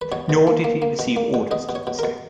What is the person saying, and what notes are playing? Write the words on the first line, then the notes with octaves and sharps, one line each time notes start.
Nor did he receive orders to this end.
B4
B2 C#5
B2
A#3
A#3
A#3
B2
A#3
B2
B2 D#5
B2
C#5
B2
A#4
B2